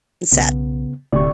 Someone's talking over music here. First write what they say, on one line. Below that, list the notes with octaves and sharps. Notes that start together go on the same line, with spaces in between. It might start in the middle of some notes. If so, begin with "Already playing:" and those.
It's sad.
B1 C#3 B3
D#1 D2 A2 C3 D5 C#6